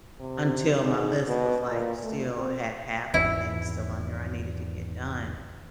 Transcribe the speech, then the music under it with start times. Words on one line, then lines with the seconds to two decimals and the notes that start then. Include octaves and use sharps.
until my list was, like still had half of the things still on there I needed to get done.
0.20 C3
0.79 G#2
1.28 B2
1.71 A#2
2.03 A3
2.36 C4
3.14 G#1 E2 E4